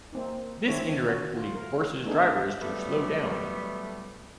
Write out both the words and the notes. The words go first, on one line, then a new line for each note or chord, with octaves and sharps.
This indirectly forces drivers to slow down.
A#3 C4 D#4
D#3 C4 D4 E4 A4 C#5
F#4
F4
A3 A#4
A3 B3 D4 D#4 G#4
F#3 G3 A3 B3